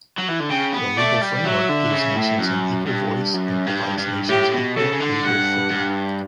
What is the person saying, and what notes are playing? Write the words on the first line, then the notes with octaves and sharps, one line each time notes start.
The legal framework gives nations an equal voice and provides nations equal legal footing.
F#3
E3
D3
C#3 G5
B3
A3 D5
G3
F#3 E5
D3
C#3
A2
F#2
G2
F#2
G2
G2
A2 G4
B2
C#3 A4
C#3
D3
G2 F#5
G2